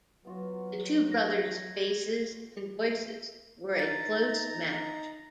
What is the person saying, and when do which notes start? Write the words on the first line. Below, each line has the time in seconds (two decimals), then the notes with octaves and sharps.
The two brothers' faces and voices were a close match.
0.25 F#3 B3 F4 F#4
1.12 G#6 A#6
3.79 D#4 A#5 A6